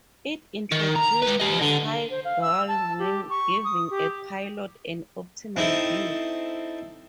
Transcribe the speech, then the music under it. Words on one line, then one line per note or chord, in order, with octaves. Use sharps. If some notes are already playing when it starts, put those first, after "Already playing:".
It introduced a high gull wing, giving a pilot an optimal view.
D#3
A#5
G#3 B4
G4 D#5
D3
C5
F5
E6
A5
G4
C#6
D#6
G4
C4 D#4 E4 A4